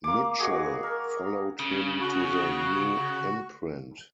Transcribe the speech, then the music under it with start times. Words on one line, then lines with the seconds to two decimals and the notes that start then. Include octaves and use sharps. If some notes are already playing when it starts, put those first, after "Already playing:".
Mitchell - followed him to the new imprint.
0.04 A#3 D6
0.38 G#3 F#4 G#4 D6
0.83 A#4
1.59 C#3
2.00 F#4